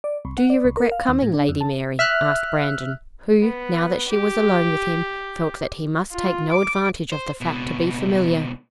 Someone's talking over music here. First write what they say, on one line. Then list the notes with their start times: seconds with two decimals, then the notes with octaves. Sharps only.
"Do you regret coming, Lady Mary?" asked Brandon, who, now that she was alone with him, felt that he must take no advantage of the fact to be familiar.
0.04 D5
0.25 C2
0.38 F#5
0.50 D5
0.64 C2
0.77 A#4
0.92 F5
1.09 D#2
1.22 A2
1.34 D4
1.49 F2
1.61 A5
1.99 E5 F6 F#6
3.41 B3
4.09 G4
6.12 F4
6.52 D6
7.12 C5
7.41 C#2 B2